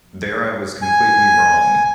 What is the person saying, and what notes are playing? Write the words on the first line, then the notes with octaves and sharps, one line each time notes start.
There I was completely wrong.
G#5